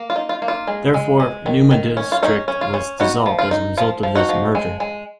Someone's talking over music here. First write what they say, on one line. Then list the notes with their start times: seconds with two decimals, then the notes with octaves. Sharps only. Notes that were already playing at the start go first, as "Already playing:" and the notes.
Therefore, Enuma District was dissolved as a result of this merger.
Already playing: A#3
0.10 F4
0.16 D#4
0.29 F4
0.42 A#3
0.48 F4
0.67 G#3
0.94 G#3
1.20 G#3
1.46 D#3
1.71 D#3
1.97 C#4
2.12 F4
2.23 C#4 D#4
2.48 C#4
2.61 F4
2.74 C#4
3.00 B3 D#4 F#4
3.26 F3
3.39 F4
3.51 D#4
3.78 F3 F4
4.03 F3
4.15 D#4 F#4
4.29 F3
4.55 G#3
4.80 G#3